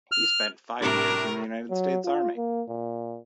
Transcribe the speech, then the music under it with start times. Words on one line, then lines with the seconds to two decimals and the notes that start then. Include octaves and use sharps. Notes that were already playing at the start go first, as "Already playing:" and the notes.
He spent five years in the United States Army.
0.12 F6
0.81 A2 C3 G3 D4 A#4
1.70 F#3
2.05 F4
2.37 A#3
2.68 A#2